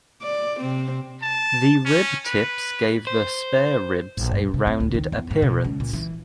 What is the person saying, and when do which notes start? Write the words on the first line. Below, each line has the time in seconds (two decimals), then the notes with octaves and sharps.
The rib tips give the spare ribs a rounded appearance.
0.22 D5
0.60 C3 C4
1.23 A5
1.85 C#4
2.26 B4
3.07 C5
4.17 A#1
4.32 G2
4.54 C3
4.67 C4
4.80 D2
4.94 D#3
5.12 E2
5.31 G#2
5.42 B2
5.64 C#2
5.80 A#2
5.93 E3